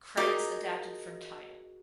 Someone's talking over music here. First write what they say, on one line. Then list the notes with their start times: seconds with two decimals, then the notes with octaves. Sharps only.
Credits adapted from Tidal.
0.17 D#4 F#4 G#4 A#4 D6